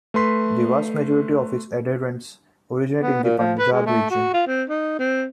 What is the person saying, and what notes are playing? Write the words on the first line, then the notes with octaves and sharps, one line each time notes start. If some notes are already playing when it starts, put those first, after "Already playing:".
The vast majority of its adherents originate in the Punjab region.
A3 B4 C6 B6
B3
A#2
F3
B4
G#3
A3
F#4
F4
C4
D#4
C4